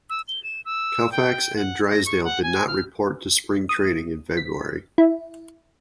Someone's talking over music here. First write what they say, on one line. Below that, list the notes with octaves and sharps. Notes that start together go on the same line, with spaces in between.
Koufax and Drysdale did not report to spring training in February.
E6
G7
E7
E6
G5
F#5
A#6
C#6
F#5
G#5
F6
D#6
B6
E4